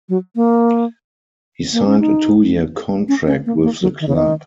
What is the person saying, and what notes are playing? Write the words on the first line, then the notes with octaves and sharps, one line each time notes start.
He signed a two-year contract with the club.
F#3
A#3
A#3
C#4
D#4
C#4
C#4
A#3
A#3
F#3
D#3
C#3
D#3